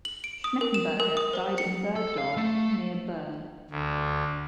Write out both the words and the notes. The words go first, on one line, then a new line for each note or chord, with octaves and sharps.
Schneckenburger died in Burgdorf near Bern.
F#7
D7
D#6
A#4
E7
A#4
D#6
C5
C#7
A4
F5
A3
D2